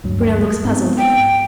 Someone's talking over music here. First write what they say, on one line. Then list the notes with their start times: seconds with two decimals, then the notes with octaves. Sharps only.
Bruno looked puzzled.
0.04 D2 G2 F#3
0.64 G#2 B3 C4
0.98 G5